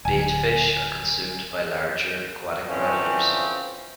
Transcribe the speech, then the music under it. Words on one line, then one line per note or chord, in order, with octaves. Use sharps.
Bait fish are consumed by larger, aquatic predators.
D1 G#5
D3 E3 F3 C4 C#4